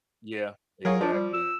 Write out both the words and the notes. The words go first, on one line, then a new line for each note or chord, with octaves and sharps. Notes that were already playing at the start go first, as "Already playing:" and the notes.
Yeah, exactly.
F#3 F4 G#4 A#4 C#5
F3 D4 D5
G3
E6